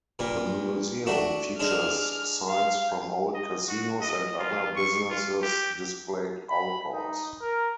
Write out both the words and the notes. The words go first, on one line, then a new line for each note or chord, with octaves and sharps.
The museum features signs from old casinos and other businesses displayed outdoors.
G2 A#2 A#3
A3 D4 F#4
G#3 D4 F6
F5
D#5
F#4
D#5
F4
C#6
F4
G4
B5
D#4
A#4